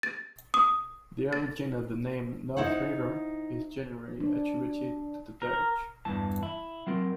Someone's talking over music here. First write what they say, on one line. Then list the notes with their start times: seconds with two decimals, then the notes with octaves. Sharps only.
The origin of the name "North River" is generally attributed to the Dutch.
0.03 A6
0.54 D#6
1.33 A6
2.57 D#4 E4 C5 F#5
4.20 D4
5.42 A#4
6.05 E2 G2 E3 A5
6.43 E4
6.87 F#3 C4 F4 A#4